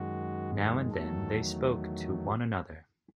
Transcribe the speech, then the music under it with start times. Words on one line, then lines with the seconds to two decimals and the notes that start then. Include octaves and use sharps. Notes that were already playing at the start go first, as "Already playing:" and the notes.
Now and then they spoke to one another.
Already playing: F#2 D#3 G#3 F#4
0.92 E2 D#3 F#3 A3 A4